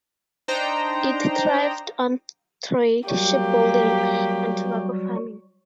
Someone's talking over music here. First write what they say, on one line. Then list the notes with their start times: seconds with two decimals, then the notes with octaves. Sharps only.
It thrived on trade, shipbuilding and tobacco farming.
0.48 D4 D#4 C5 G5 A#5
3.09 F#3 G3 A#3 F#4 G4